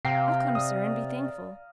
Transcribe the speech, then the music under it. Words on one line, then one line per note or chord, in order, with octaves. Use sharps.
'I'll come, sir, and be thankful.
C3 F5 G5 A#5 C7
D5 D#6